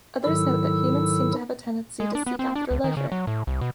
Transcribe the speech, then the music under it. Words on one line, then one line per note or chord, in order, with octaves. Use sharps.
Others note that humans seem to have a tendency to seek after leisure.
G#2 D#3 F#3 E4 A4 E6
G#3
D4
B3
C4
D4
C#2
D#3
C#3
F#3
A2
C2
B2